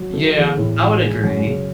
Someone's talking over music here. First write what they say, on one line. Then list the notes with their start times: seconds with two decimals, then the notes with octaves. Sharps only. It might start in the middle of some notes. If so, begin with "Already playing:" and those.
Yeah, I would agree.
Already playing: F#3
0.14 A3
0.36 E2
0.57 A2
0.80 A1
1.01 G#3
1.24 F#2
1.45 C#3